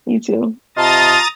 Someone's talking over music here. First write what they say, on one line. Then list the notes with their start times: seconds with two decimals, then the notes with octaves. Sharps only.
You too.
0.77 C3 F4 D#5 A5 A#5 D#6 A6